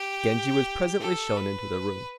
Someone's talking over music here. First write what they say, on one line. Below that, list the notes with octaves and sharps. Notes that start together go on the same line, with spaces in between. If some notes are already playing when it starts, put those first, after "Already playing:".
Genji was presently shown into the room.
Already playing: G4
A4
B4